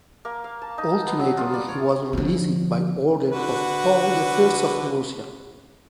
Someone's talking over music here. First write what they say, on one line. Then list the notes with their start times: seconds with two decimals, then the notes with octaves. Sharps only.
Ultimately he was released by order of Paul the First of Russia.
0.25 A#3
0.44 F5
0.62 A5
0.78 D#4
1.07 B3
1.20 F#3
1.37 F4
1.54 D5
1.68 C#5
2.13 D3 F3
3.32 D3 F#4 B4